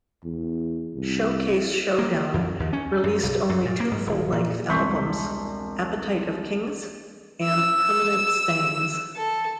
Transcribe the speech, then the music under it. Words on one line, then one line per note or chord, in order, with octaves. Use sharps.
Showcase Showdown released only two full-length albums, "Appetite of Kings" and "Permanent Stains".
E2
C2
A#3
F2
D#2
C#4
F#2
B1
F#2
A#2
A#3
G#2
D#1
A#2
E1 C2 C6 C#6 G6 B6
E6
A4